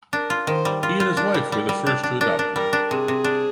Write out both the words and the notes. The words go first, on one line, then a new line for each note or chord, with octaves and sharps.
He and his wife were the first to adopt me.
D4 A#4
F4
D#3 C5
G3
F4 A#4
F4
D4
G3
G3
G3
D4
D4
D4 A#4
D4
G3 A#4
D4
C3 G#4
C3
D4